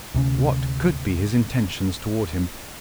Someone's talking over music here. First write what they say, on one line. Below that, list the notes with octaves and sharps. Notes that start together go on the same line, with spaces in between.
What could be his intentions towards him?
D2 C3 C#4